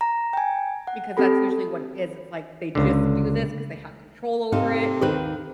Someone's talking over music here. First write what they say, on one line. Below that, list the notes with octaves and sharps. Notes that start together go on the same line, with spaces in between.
Because that's usually what it is. It's like they just do this 'cause they have control over it,
A#5
G5 G#5
F#5
C4 G4 A4 B5
C#2 D3
G#2 C3 D#4 A4 F5
D#2 D#3 G4 A4 B4 C5